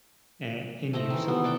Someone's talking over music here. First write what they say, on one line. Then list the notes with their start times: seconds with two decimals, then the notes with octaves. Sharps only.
eh, in you, so
0.93 A3 C4 D#5 E5
1.10 D#3 E3
1.28 B3
1.44 D5 E5 F#5 G5